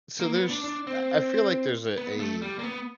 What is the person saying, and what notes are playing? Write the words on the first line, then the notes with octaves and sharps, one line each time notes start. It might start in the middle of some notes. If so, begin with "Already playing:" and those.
so there's I I feel like there's a a
A#3
B3
D4
D4
C4
B3
A3
G3
A#3
B3